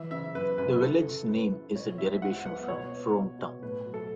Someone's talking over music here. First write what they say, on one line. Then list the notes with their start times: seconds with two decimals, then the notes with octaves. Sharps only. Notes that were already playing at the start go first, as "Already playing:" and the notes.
The village's name is a derivation from "Frome Town".
Already playing: E3 E5
0.11 C#3 E5
0.35 F#2 B4
0.58 F#2 B4
0.81 C#3 A4
1.05 C#3
1.28 C#3 B4
1.51 E4
1.76 B2 C#5
1.98 E4 E5
2.22 C#2 F#5
2.45 B3 F#5
2.68 B2 C#5
2.92 B3
3.15 B2
3.39 B2
3.62 A2 B4
3.85 F#3
3.94 A4